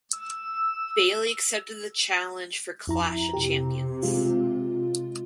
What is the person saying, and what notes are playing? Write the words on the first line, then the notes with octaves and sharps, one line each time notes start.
Bayley accepted the challenge for Clash of Champions.
E6
F2 E4 A#5
C3 G4
G#3 F4